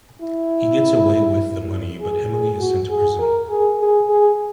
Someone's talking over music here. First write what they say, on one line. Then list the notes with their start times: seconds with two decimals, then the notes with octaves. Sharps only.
He gets away with the money but Emily is sent to prison.
0.21 E4
2.01 G#4
2.30 G#4
2.60 F#4
2.90 G#4
3.19 A#4
3.49 G#4
3.80 G#4
4.09 G#4